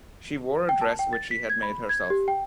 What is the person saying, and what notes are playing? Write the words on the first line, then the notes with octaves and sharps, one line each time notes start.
She wore a dress which she had made herself.
G5
A5
G5
A6
B6
G#6
B5
G#6
G4
G5